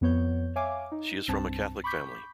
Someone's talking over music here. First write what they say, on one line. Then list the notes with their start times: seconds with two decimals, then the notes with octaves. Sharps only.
She is from a Catholic family.
0.01 F2 B3 C#5 G6
0.56 C#5 E5 F5 G#5 D6
0.92 D#4
1.28 C2 G2 C4 A5
1.84 B5 C#6 D6 G6 B6